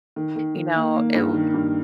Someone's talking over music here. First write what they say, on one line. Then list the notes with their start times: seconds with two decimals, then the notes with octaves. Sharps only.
You know, it w
0.16 D#3
0.36 D#3
0.55 D#3
0.75 A#3
0.95 A#3
1.14 G2
1.34 D#3
1.54 G2